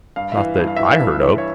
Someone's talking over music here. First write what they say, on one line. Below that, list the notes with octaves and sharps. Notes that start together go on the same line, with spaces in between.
Not that I heard of.
G2 F5
E5
E3 F5
G2
F5
E3 E5
F5
G2
E3
C#5